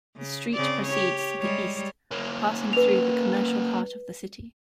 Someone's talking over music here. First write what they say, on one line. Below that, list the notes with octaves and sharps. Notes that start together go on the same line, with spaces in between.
The street proceeds to the east, passing through the commercial heart of the city.
C#3
C#3 C4 D5
G4 C#5
G3 G#3 C#5
A#3 C#4
B4 F7